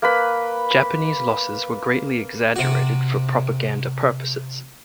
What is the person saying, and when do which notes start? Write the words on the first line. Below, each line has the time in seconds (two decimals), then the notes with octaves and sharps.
Japanese losses were greatly exaggerated for propaganda purposes.
0.02 A#3 B4 B5
2.56 C3 F#4